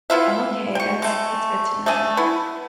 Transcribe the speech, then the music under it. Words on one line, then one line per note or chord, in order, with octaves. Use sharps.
Okay, that's that's good to know.
B3 E4 F4 E5
G5 C#6
G#3 A3
A3 D5 D#5 G#5
B3 E4